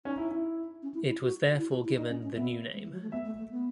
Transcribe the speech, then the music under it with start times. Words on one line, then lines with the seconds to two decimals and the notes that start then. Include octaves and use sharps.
It was therefore given the new name.
0.05 C#4 D#4
0.18 E4
0.31 E4
0.83 C#4
0.94 E4
1.08 E4
1.21 F#4
1.58 E4
1.71 F#4
1.85 E4
1.97 D#4 D#5
2.09 C#4
2.23 C#4
2.35 B3 E5
2.74 G#3
2.83 E3
2.93 F#3
3.02 A3
3.12 B3 E5
3.25 A3
3.38 A3
3.51 B3